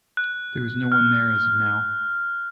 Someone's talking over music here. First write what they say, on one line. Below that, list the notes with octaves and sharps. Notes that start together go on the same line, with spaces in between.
There is no one there as of now.
F#6
F6